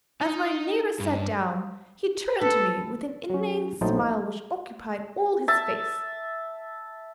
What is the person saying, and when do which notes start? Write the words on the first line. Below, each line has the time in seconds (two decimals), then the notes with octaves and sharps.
As my neighbour sat down, he turned to me with an inane smile which occupied all his face.
0.21 D#4
1.00 G2
2.41 A4 B4
3.30 F#3 C#4
3.81 A#1 F#3 A3 D#4 C5 A5
5.48 E5 A5